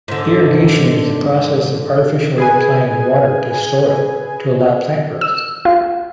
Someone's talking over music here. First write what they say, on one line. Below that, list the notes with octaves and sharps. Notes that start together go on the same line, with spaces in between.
Irrigation is the process of artificially applying water to soil to allow plant growth.
G#2 D3
G#4 B4 G#5
E6
F4